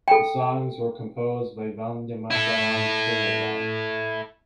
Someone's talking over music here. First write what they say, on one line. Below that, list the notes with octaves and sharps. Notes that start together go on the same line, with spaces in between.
The songs were composed by Vandemataram Srinivas.
A4 G5
E4 A4